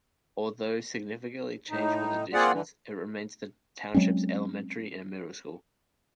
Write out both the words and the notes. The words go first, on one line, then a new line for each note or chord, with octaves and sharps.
Although significantly changed with additions, it remains the township's elementary and middle school.
A2 D#4
A#3 C4 F4 G#4 D5 F#5
D3 E3
F#3 G#3 C4 C#4